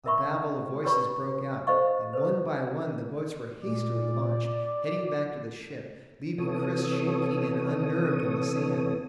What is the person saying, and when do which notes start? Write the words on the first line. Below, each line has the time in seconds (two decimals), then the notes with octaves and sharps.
A babble of voices broke out, and one by one the boats were hastily launched, heading back to the ship, leaving Chris shaking and unnerved on the sand.
0.06 A#4 E5 B5 C#6
0.84 C#4 G4 B4 C#5 B5 C#6
1.67 A4 C5 D#5 F5 C#6
2.13 A4 B4 C5
3.62 A#2 D5
6.38 C3 E3 B3 A4 C#5 D#6